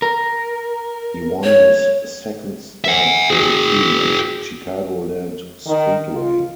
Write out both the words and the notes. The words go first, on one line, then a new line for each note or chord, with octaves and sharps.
He won his second start for the team at Chicagoland Speedway.
A#4
C#5
E5 F#5
F#4 G#4
D#3
F4